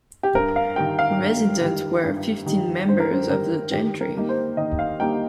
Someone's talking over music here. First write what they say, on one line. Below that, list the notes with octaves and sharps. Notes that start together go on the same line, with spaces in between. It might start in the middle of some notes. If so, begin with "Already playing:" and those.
Resident were fifteen members of the gentry.
G4
G2 A#4
F5
D#3 G3 G5
F5
G2
D#3 G3
G2
D#3 G3
G2 C5
A#4
C5
D#3 G3 A#4
D#3 G4
A#4
G3 A#3 D#4
C5
D#3 D#5
F5
G3 A#3 D#4 G5